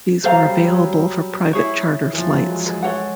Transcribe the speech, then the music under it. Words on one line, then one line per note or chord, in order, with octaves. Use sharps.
These were available for private charter flights.
F#3 A4 C5 F5 A#5
G3
F#3
F#3
E4 G#4 C#5
E3
F3
F#3
G#3
G#3
G#3 A4 C#5 F#5